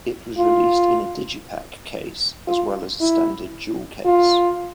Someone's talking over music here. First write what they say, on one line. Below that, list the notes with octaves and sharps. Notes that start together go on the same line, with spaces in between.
It was released in a digipak case as well as a standard jewel case.
F4
F4
E4
F4